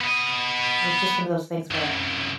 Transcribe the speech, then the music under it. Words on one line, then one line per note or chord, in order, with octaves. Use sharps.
it was just one of those things where
B3 D#5
C2 F#2